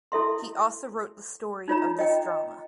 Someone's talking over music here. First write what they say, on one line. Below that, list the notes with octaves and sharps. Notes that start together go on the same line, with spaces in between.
He also wrote the story of this drama.
E4 A4 E5 C6
D#4 F4 C#5 A#5
D#5 G5